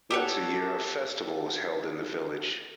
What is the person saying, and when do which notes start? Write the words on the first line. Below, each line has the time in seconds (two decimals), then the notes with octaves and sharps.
Once a year a festival was held in the village.
0.11 G4 A4 C#5 F#5